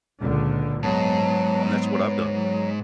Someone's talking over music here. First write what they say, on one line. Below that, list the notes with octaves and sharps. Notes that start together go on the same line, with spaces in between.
Mhm. And that's what I've done.
C#2 A#2 D3
G#2 F#3 B3 A5
C#5
F#3